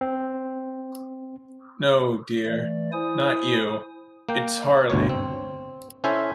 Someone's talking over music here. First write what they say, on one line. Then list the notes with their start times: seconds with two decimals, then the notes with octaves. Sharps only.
No, dear, not you; it's Harley.
0.01 C4
2.46 E3 A3 D5
2.93 E4 C5 G#5 D#6
4.29 A#3 G5
4.90 G1 D2 B2 C#5
5.09 C4
6.04 C#4 E4 A4 C5 E5 G#5